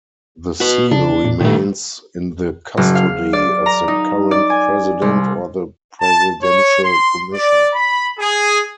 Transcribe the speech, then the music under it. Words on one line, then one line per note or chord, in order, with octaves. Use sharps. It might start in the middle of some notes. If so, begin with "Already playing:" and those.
The seal remains in the custody of the current President or the Presidential Commission.
F#4 B4
C#3 D4
A#2
A#2 D#3 A3
F#1
F5
D5
A#5
D#4
D5
G#5
C2
A5
C#5
C6
D5
B5
G#4